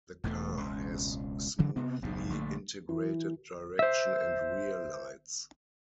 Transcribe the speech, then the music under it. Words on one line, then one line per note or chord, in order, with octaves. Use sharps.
The car has smoothly integrated direction and rear lights.
E1 E2 E3 A3
E1 C#2
C#3 E3 F#3
C3 B3 C4
F#1 B1 E2 A2
A#1 D3 A3
E3
C5 E5